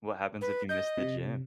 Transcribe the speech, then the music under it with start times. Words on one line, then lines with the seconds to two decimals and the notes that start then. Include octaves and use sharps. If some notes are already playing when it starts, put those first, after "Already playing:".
What happens if you miss the gym?
0.41 B4
0.69 D#5 G6
0.98 C3